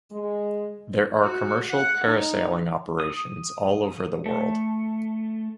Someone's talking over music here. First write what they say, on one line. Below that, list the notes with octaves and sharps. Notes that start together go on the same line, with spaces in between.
There are commercial parasailing operations all over the world.
G#3
F#4
F#5
D#4
D#6
A3